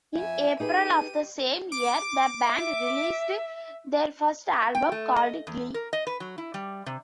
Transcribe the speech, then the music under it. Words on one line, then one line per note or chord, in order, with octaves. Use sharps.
In April of the same year, the band released their first album, called "Glee".
F2 E5 G#5
D#4 G4 G#4 B4 D#7
D6
E5
G5
A3
D#5
E2
A#4
D#5
B4
F#3
E4
G3
C3